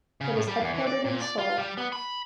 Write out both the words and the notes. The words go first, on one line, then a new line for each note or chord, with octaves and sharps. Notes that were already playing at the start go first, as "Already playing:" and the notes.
It is headquartered in Seoul.
C#3
A2
G3
E2
E3
D5
A#2
D5
F4
G3
B3
B5